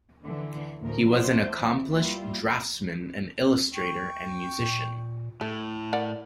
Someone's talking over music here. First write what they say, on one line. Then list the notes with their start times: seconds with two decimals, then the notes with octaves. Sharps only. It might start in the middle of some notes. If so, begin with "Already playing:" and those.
He was an accomplished draftsman and illustrator and musician.
0.23 D3 E3
0.80 D2 A2 F3 A3 A#4
1.09 F3 D4 E4 F#4 C5
1.57 E3
1.89 G3 A#3 E4 F4
3.74 G5 C#6
4.60 A#2
5.41 A2 A3
5.93 A#4 D5 F#5